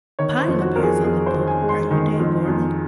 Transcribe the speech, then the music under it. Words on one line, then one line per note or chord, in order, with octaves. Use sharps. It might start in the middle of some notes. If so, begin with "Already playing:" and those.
Pine appears in the book Are You Dave Gorman?
D#3 C#5
C5
F2
F#4
F2 A#4
G#4
F2 G#4
C5
D#3
G#5
G#3
C6
D#3
F2
F2